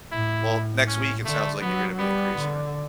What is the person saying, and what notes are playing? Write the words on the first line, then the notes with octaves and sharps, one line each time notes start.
Well, next week it sounds like you're gonna be increasing it.
A2 E4
C#4
D3 A3
F#3 B3
G3 B3
D3